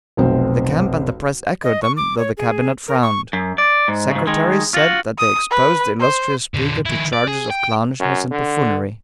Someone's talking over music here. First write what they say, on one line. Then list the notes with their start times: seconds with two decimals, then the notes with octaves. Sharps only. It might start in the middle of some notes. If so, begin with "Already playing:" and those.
The camp and the press echoed them though the Cabinet frowned--secretaries said that they exposed the illustrious speaker to charges of "clownishness and buffoonery."
0.17 F1 B1 C4
1.64 D#5
1.83 C#6
1.97 D6
2.18 C#5
2.37 G#4
2.88 A#4
3.02 C#6
3.33 F#2
3.58 D5
3.88 G#2
4.11 G#2 C#3
4.27 D#3 G#3
4.74 F4 F#4
5.19 D#6
5.51 B4
6.00 C5
6.54 A#2 D3
6.86 D#3 E4
7.13 D5
7.27 G#4
7.50 G5
8.00 F#2
8.31 D3